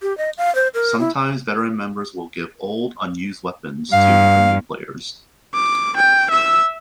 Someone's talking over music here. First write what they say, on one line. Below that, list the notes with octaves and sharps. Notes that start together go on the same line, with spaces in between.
Sometimes veteran members will give old, unused weapons to the new players.
G4
D#5
F5
C5
A#4
E4
G2 F5
D6
G5
E5 E6